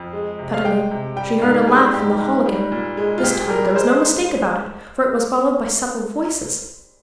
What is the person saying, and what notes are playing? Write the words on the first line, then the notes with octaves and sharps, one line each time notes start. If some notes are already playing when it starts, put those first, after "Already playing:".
Suddenly she heard a laugh in the hall again--this time there was no mistake about it, for it was followed by several voices.
Already playing: F2
G#3
C3
F5
G#3 G5
C3
G3 G5
G#2 F5
G3 G#4
G#2 G4
G#2
G3
A#2
G#3
F4
A#2 G4
G#4
G3 A#4
G#3 C5